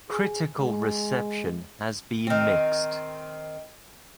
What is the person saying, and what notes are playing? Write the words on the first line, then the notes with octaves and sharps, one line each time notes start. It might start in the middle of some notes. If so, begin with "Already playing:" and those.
Critical reception has been mixed.
G#4
G#3
D#3 C4